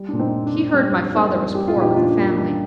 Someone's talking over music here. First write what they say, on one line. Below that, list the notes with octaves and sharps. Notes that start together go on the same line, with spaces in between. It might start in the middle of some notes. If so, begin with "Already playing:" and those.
He heard my father was poor, with a family.
Already playing: G3
A#2 D4
C4 D#4
G3
D4
A#2
G3 C4
G3
A#3 C4 D#4
G3
G3 G4
F4
A#2
D#4 G4
A#2 D4 F4
A#3
G3 D4